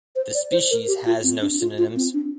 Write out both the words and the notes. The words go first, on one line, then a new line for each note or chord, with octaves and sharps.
The species has no synonyms.
C5
D5
C5
A#4
G4
F4
C4
D4
F4
F4
C4
D4